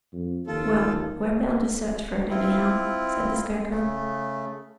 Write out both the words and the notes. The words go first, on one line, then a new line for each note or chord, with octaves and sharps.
"Well, we're bound to search for it, anyhow," said the Scarecrow.
F2
D#2 F4 A4
C4 E4 F4
C#3 A3